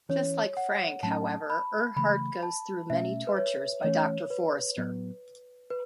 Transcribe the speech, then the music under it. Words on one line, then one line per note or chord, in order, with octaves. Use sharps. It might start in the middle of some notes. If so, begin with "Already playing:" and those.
Just like Frank, however, Erhardt goes through many tortures by Doctor Forrester.
E3 C#4 C#5
F#5
A2 F#3 A3 C#4 A5
B5
C#3 E3 A3 B5
A5
B2 A3 C#4 E5
B4
C#5
E3 A3 C#4 C#5
B4
A2 F#3 B3
B4